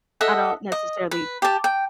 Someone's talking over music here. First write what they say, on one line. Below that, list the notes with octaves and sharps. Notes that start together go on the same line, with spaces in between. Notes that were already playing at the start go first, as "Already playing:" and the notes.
I don't necessarily
A4 D#5 E5 F#5
D#5
B4
G4 A5
G5